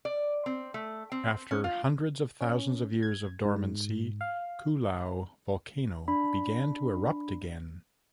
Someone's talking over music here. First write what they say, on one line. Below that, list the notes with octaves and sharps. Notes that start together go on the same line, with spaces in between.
After hundreds of thousands of years of dormancy, Koolau volcano began to erupt again.
D5
C4
A3
C4
C#4
F4
C#4
G#6
G#2
F5
D4 B5